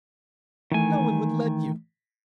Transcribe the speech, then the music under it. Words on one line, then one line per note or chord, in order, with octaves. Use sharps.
No one would let you!...
D#3 E3 A3 G#5